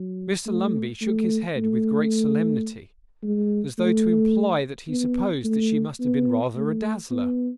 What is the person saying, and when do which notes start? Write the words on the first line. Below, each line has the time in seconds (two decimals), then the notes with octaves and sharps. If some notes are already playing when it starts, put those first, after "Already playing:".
Mr Lumbey shook his head with great solemnity, as though to imply that he supposed she must have been rather a dazzler.
Already playing: F#3
0.46 A3
1.02 A3
1.57 A3
3.23 G#3
3.79 A3
4.89 B3
5.45 A3
6.00 B3
6.56 A3
7.11 B3